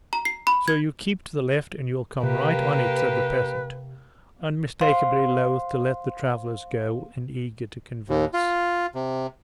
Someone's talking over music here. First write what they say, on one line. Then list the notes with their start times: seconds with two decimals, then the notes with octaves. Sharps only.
"So you keep to the left, and you'll come right on it," said the peasant, unmistakably loth to let the travelers go, and eager to converse.
0.13 A#5
0.25 C7
0.47 B5
0.68 G#6
2.23 C3 A#3 G4 B4
4.81 C5 F5 C6
8.10 D#2
8.34 F4
8.95 C3